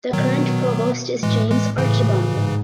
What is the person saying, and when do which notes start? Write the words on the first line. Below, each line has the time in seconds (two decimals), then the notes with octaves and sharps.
The current Provost is James Archibong.
0.13 B2 D#3 F#3
1.23 A2 E3 G#3
1.50 E3 G#3
1.78 A2 C#3 E3
2.32 G#2